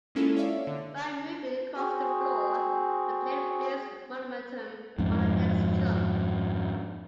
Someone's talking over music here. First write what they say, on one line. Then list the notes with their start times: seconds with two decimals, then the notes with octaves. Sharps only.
By moving across the floor, the player builds momentum for the next jump.
0.15 G#3 A#3 C#4 E4 F4 A4
0.37 C#5 D5 E5 F5
0.67 D3
1.75 C4 F#4 G#4
4.98 F2 G#2